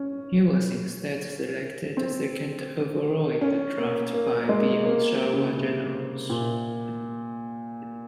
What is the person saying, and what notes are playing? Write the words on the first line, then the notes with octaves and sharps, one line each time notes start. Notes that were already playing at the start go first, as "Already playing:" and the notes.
He was instead selected second overall in the draft by the Oshawa Generals.
Already playing: C#4
C4
C#4
A#3
A#3
A#3
G#3
A#3
C#3
C3
A#2